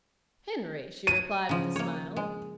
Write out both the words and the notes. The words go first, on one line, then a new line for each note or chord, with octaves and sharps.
"Henry!" she replied with a smile.
D#7
C#3 F3
A#3 C#5
G#3